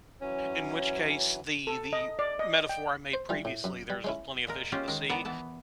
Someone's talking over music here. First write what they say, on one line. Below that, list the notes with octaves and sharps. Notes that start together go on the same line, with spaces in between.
in which case, the the metaphor I made previously, "There's, uh, plenty of fish in the sea,"
E3 F#3 C#4
A4
D#5
D5
D#5
G5
C5
E3 G3 F4
A2
F#2
G3
G#3 C#4 E4
A#2 G#3 A#4
G#3 C#4 F4 G4
D#3 G#3
D#3 B3 D5 F#5 A#5
E3 B3 A5